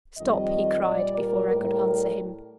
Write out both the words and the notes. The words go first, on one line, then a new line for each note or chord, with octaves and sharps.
"Stop!" he cried, before I could answer him.
F2 D#3 G3 D#5
A#2 G3 D5
A#4
A2 G3 A#4